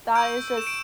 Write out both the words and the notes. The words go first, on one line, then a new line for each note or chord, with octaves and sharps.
that is just
C#6 E6 G6 D7
E7
D7